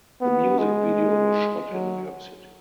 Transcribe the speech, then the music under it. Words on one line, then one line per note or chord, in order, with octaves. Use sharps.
The music video was shot in New York City.
B3
G#3
F#3